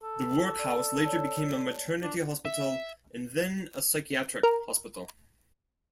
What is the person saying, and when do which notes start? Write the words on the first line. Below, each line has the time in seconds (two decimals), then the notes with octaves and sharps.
The workhouse later became a maternity hospital and then a psychiatric hospital.
0.03 A4
0.59 D5
1.04 C#5 D5 A5
2.02 D4
2.45 E5
4.43 A#4